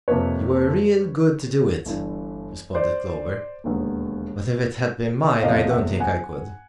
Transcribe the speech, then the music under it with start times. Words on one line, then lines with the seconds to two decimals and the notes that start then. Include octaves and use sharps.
"You were real good to do it," responded Clover; "but if it had been mine I don't think I could."
0.08 F2 C3 F3 A#3 B4 C#5
1.85 G1 G2 E3
2.75 C5 D5
3.64 E1 D#2 D3 F#3 B3
5.41 F1 E2 C3 F3 A#3 D#5 F5
5.71 E5 F#5
6.00 F#5 G#5